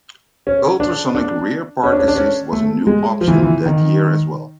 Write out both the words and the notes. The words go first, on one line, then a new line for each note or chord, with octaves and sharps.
Ultrasonic rear park assist was a new option that year as well.
C#4
D4
D4
C#4
D4
C#4
D4
C#4
A3
G#3
F3
E3
F3
E3
D#3